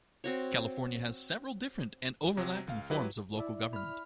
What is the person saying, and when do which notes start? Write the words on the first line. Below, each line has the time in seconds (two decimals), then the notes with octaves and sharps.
California has several different and overlapping forms of local government.
0.24 C4 F#4 C#5
2.37 C3 F#3
2.67 C#2 F5
2.90 F#3 E4 G4 B4
3.37 E4 D5 E5
3.73 B5 F6